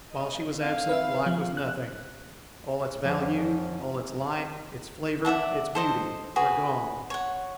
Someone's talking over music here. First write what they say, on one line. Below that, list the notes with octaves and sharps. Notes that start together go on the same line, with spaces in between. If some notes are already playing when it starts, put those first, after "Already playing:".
While she was absent, life was nothing; all its value, all its light, its flavor, its beauty, were gone.
D#5
C4 F5
B4 E5
F3
F#6
F2 G#2 F3 C#4
D5 E5 F#5 A5
A4 C5 D#5
F#4 G#4 B4
C#5 F#5